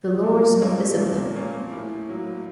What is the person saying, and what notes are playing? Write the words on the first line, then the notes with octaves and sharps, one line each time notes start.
"The Lords of Discipline".
A#2 G#3
G3
F#3
F3 G3 A#3 C#4
A#2
F3 A#3 C#4
A2
F#3 A#3